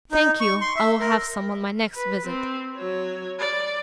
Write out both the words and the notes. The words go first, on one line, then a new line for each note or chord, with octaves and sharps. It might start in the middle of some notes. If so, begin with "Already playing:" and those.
"Thank you, I will have some on my next visit."
D#4
C#6
C6
E5
A#4
B4
C4
F#3 C#5
D5